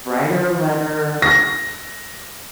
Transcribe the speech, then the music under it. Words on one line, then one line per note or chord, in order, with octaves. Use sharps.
write her a letter,
A#6